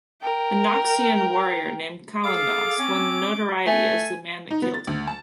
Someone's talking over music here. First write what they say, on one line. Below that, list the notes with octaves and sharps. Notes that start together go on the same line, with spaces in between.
A Naxian warrior named Calondas won notoriety as the man that killed him.
A#4 G5
G#4 A4 F5 D6
C4 C#4
A3 G#5
D#4
B3
A6
D2
A5